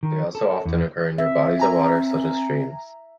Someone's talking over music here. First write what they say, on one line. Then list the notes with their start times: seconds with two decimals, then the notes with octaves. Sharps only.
They also often occur near bodies of water such as streams.
0.03 D#3
0.35 A4
0.65 E2
1.18 C4 E5
1.60 G#5 A#5